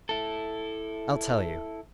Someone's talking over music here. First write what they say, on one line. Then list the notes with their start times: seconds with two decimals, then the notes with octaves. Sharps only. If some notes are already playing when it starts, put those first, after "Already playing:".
I'll tell you.
0.09 E4 A4